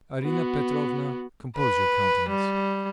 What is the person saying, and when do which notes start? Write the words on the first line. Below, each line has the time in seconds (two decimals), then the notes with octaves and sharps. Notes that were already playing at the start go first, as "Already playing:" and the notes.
Arina Petrovna, compose your countenance.
0.23 B3 F#4
1.56 B4
2.29 G3